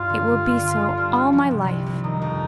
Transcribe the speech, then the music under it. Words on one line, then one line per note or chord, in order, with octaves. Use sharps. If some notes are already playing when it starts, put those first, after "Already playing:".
It will be so all my life.
Already playing: G2 F4
D3
C4
G2
D3
G3
D4
G3
F3
C3
C2
C2
D#3 D#4
F2